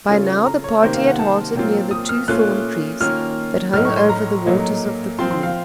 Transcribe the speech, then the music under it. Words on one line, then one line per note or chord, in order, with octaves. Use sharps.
By now the party had halted near the two thorn trees that hung over the waters of the pool.
C#3 A3 C#4 F4
A#5
C#5
C3 D#3 A#3 C5
F5
F#5
A5
A#2 F#3 C4 F4
D#6
F6
A#2 A3 C#4 F4 F#6
D#3 A#3 C#4 F4 F6
A2 F#3 A3 D#4 F6
C#6
C6
A#5
A#2 F#3 A3 D#4
F3 C4 F4 C6
C6
F5